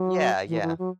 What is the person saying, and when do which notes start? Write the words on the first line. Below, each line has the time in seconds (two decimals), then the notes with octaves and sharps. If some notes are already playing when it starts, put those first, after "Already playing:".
Yeah, yeah.
Already playing: F#3
0.48 E3
0.62 E3
0.79 F#3